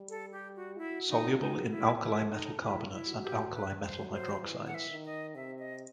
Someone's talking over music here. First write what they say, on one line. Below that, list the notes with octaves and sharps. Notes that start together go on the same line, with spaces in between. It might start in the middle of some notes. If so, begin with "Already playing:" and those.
Soluble in alkali metal carbonates and alkali metal hydroxides.
Already playing: G3
A4
G4
F#4
E4 F#4
D#4
F#4
D#4
E4
E4
A4
D#4
E4
E4
F#4
G4
B4
C5
F#3
C5
E3
F#5
E5
D#3
D#5
C3 E5
D#5